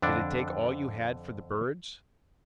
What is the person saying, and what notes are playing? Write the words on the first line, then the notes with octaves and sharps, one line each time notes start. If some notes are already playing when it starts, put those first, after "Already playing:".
"Did it take all you had for the birds?"
F2 D3 D4